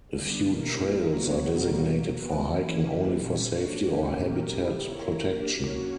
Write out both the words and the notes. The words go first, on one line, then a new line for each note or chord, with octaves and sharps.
A few trails are designated for hiking only for safety or habitat protection.
D3 G3 B3 D4
B2 A#3 E4 G4 A#4
A#3 E4 A#4
F#3 B3 F#4 C#5
B2 G3 B3 F#4 A#4
B2 F#3 A#3
B3 F#4 B4
E3 A#3 C#4 E4
D3 A#3 E4 G4 B4
A#2 G3 C#4
A#3 D4 F#4 C#5
A#3 C#4 G4
A#2 F#3 C#4 G4 A#4
C#3 G3 B3 E4 G4
A#3 E4 A#4 C#5
A#3 D4 G4 A#4
F#3 A#3 C#4 F#4